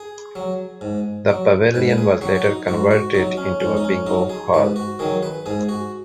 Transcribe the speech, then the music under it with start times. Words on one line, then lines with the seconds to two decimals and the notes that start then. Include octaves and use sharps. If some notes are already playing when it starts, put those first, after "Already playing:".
The Pavilion was later converted into a bingo hall.
Already playing: G#4
0.35 F#3
0.81 G#2
1.29 F#3
1.74 G#2 B4
1.89 B4
1.97 G#4
2.21 F#3 F#4
2.35 F#4
2.44 D#4
2.68 G#2 F#4
2.91 F#4
3.14 F#3 D#4
3.37 C#4
3.60 G#2 C#4
3.77 D#4
3.84 C#4
4.06 F#3 D#4
4.29 G#4
4.53 G#2 B4
4.76 F#4
4.99 D#3 F#3 G#4
5.23 B4
5.46 G#2 G#4
5.69 F#4